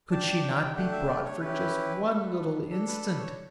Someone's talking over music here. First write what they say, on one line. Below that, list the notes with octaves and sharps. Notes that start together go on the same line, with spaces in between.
Could she not be brought for just one little instant?
D4 G4 A5
G5
A3 D4 G4 F#5
E5
D5
C#5
C#4 E4 G4 B4
B3 D4 A4
D4 A4
B4
B4
C#5